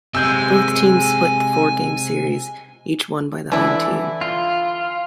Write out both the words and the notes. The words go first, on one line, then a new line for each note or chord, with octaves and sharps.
Both teams split the four-game series, each won by the home team.
C3 G#3 G#5 E6 G6
D3 E3 E4 D5 G#5
F4